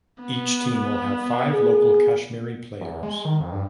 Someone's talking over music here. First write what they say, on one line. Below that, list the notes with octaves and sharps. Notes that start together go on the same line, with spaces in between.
Each team will have five local Kashmiri players.
B3
G#4
E2
G#3
D#3
F2
G2